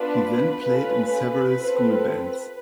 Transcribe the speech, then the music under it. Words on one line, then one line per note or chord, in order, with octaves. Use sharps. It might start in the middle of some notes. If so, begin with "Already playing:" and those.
He then played in several school bands.
Already playing: B3 D4 F4 B4
C#4 F4 A4
C4 F4 A4